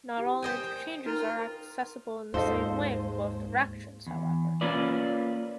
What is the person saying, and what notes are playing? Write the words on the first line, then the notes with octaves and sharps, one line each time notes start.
Not all interchanges are accessible in the same way from both directions, however.
E4 G4
C5 D#5 G5 G#5
D#4 F4 A#4
D#2 G#2 F4 A4 C5 D#5
E2
A#3 C#4 F4 B4 D5